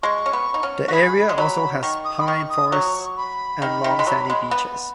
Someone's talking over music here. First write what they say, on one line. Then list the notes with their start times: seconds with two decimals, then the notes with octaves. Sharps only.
The area also has pine forests and long sandy beaches.
0.03 G#3 C#6
0.26 C#4
0.33 B3
0.54 D#4
0.63 C#4
0.88 F#4
0.93 G#4 B5
1.29 G#3
1.38 F#3 B5
1.83 D#3 C#6
2.04 D#6
2.20 B5
2.27 D#3 C#6
2.50 D#6
2.72 F#3 C#6
3.17 B5
3.62 D#3
3.84 D#3
3.99 G#3
4.07 F#3
4.30 G#3
4.51 B3